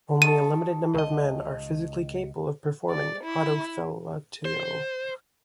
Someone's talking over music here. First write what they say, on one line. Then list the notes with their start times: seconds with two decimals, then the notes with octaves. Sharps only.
Only a limited number of men are physically capable of performing autofellatio.
0.22 D#3 G3 A4 D#7
0.95 C#2 D#5
2.90 D5
3.24 E4
4.45 C5